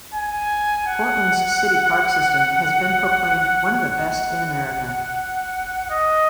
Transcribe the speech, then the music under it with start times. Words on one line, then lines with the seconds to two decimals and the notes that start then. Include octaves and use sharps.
Portland's city park system has been proclaimed one of the best in America.
0.14 G#5
0.87 F#5
3.74 F#5
5.90 D#5